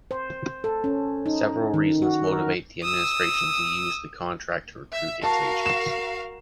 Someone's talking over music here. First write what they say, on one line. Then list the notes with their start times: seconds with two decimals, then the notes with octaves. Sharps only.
Several reasons motivates the administration to use the contract to recruit its agents.
0.11 C5
0.64 A4
0.84 C#4
1.26 D#4
1.74 D#3
2.02 F#4
2.27 A#4
2.83 D#6 E6
4.91 E5
5.24 F#4 A#4 F5 A5
5.66 E7